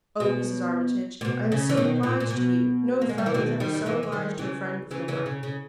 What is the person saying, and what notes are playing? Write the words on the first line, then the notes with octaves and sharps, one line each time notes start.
"Oh, Mrs. Armitage, I am so obliged to you! no fellow was ever so obliged to a friend before."
B2
A#2
B2
C#3
E3
B2 D#3
A#2
A#2
B2
A#3
G#3
G3
E3
B2 D#3
D#3 G3
G3
E3 G#3
E3
D#3 G3
C#3 E3
C#3 E3
C#3 E3
C#3
C#3